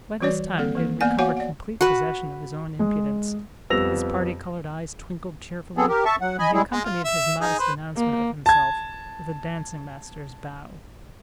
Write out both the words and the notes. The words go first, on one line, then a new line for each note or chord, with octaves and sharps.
By this time he had recovered complete possession of his own impudence; his party-colored eyes twinkled cheerfully, and he accompanied his modest announcement of himself with a dancing-master's bow.
E3 G3 F#4 C#5 D5
G3 A#3 C4 A4
E3 A#3
A#3 B3 D5 G#5
F#4 C#5 F5 F#5 G#5 D6
D5 F#5
F#4 B4
G#3
F2 G3 B3 E6 A#6 F7
B3 C4 G#4 A4
G4 A#4
E5 A5 C#6
F#3 F#5
D#5 G#5 B5
G3 G#3 E4 G#4
G#3
F4
E5
D#4 G#4
B4 C5
A#3
A5 G#6